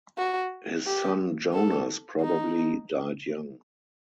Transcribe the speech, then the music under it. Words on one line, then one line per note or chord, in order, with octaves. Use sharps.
His son Jonas probably died young.
F#4
G4
A4
D#4